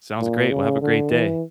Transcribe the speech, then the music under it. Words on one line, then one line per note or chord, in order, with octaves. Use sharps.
Sounds, great, well, have a great day.
A#2
C#3
D3
E3